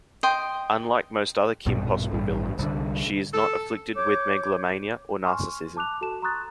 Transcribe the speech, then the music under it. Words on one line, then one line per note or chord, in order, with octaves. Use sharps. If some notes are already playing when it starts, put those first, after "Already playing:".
Unlike most other "Kim Possible" villains, she is not afflicted with megalomania or narcissism.
D#5 G5 C6 D#6
A#1 G2 B2 G3
A1 G2
C2 D3
A4
C#5 D6 G6
G#5 C6 C#6 F6
A5 D6 F#6 F7
F#4 A4 A5 E7
A#5 C6 C#6 D#6 F#6 A6